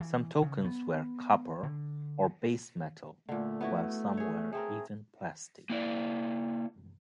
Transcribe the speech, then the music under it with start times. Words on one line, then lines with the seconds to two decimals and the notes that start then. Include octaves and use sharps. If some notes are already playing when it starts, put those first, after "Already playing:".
Some tokens were copper or base metal while some were even plastic.
0.01 E3
0.42 C#3
0.65 B3
1.63 D3
3.29 A#2 D3 A3
3.61 B3 E4 F#4
4.17 G#4 C#5
4.53 A3 C4 G#4 A#4
5.70 A#3 E4 D5